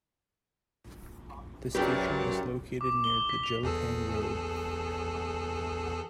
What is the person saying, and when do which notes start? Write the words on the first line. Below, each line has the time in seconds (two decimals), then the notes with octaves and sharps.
The station is located near Jelapang Road.
1.75 F#2 A#2 F#3 G4 G#4 B4
2.81 D6
3.04 G7
3.29 B6
3.43 F7
3.63 E2 G#4 A4